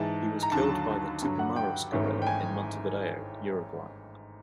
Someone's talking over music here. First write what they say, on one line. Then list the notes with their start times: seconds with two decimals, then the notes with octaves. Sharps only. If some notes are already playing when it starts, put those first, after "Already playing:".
He was killed by the Tupamaros guerrilla in Montevideo, Uruguay.
Already playing: G#2 E3 G#3 A5
0.42 A#5
0.52 D#2 D3 F#3 A5
1.22 G2 D3 F#3
1.39 F#5
1.56 G5
1.92 G#1 G#2 E3 A3 C#4
2.22 G5
2.26 G#5